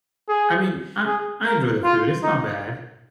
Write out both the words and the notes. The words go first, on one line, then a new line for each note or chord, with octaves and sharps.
I mean, I I enjoy the food, it's not bad,
G#4
G#4
A#4
F4
D#4